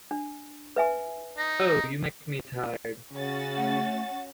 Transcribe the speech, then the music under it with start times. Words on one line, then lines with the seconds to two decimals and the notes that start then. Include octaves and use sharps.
Oh, you make me tired.
0.11 D4
0.76 B4 E5 G#5
1.38 D#4 A#6
3.13 C#3 C#4 F#4 A6
3.56 A3 F#5